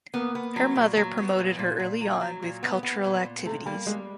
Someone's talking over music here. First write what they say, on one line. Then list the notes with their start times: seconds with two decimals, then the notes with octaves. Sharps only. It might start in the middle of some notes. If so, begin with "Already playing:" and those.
Her mother promoted her early on with cultural activities.
0.14 A#3 B3
0.35 B3
0.56 F#3
0.76 A#2
0.97 F#3
1.18 B3
1.39 A#2
1.59 A#2
1.80 A#2
2.01 F#3
2.21 F#3
2.42 A#2
2.63 B3
2.83 B3
3.04 A#2
3.25 A#2
3.45 C3 A3
3.66 G3 A#3
3.86 G3 G#3